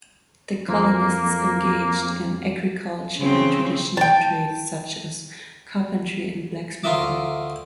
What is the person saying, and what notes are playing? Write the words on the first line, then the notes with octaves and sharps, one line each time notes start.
The colonists engaged in agriculture and traditional trades such as carpentry and blacksmithing.
F2 A#3
C#3 C4
G5 A5
D2 F4 A#4 D#5 E5 D6